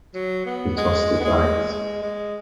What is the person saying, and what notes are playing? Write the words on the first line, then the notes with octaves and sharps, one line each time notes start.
He tosses the dice.
F#3
B3
G#3
B3
G#3
G#3
G#3